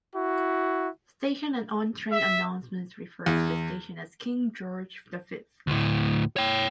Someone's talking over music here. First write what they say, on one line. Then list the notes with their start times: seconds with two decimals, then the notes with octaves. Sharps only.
Station and on-train announcements refer to the station as 'King George the Fifth'.
0.16 E4 F#4
2.12 E5
3.26 E2
5.67 D2 A2
6.36 C#5 G5